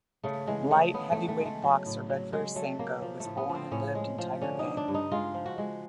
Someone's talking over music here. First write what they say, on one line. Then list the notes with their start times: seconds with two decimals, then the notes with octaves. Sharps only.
Light heavyweight boxer Redvers Sangoe was born and lived in Tiger Bay.
0.24 C#3 A3
0.47 E3 G#3
0.71 C#3 A3
0.94 C#3 B3
1.12 A3
1.17 E3
1.28 A3
1.40 G#3
1.45 A3
1.63 F#3
1.86 A2
2.10 F#3
2.33 F#3 G#3
2.56 F#3 A3
2.79 F#3 A#3
3.02 F3
3.20 A3
3.25 A2
3.37 B3
3.49 F3
3.55 C4
3.71 A2 C#4
3.95 G#3
4.18 F3
4.41 D3 C#4
4.59 D#4
4.64 D3
4.77 D4
4.88 G2
4.94 D#4
5.11 G#3 F4
5.34 F3
5.46 F#4
5.58 G#3